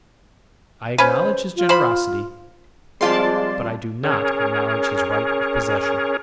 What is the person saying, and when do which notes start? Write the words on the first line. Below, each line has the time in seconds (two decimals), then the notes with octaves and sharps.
I acknowledge his generosity, but I do not acknowledge his right of possession.
0.98 C#4 B4 C5
1.56 F4
1.69 C5 B5
3.01 F3 G3 G#3 C4 F4 D5 A5 C6
4.04 C#4 G#4 A#4 C#5